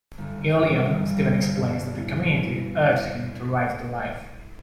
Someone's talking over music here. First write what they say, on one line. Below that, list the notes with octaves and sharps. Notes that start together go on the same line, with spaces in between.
Early on, Stephen explains that the community urged him to write the "Life".
G1
G1
G1
G3
G1
G3
G1
G2
B2
E4
B2
E4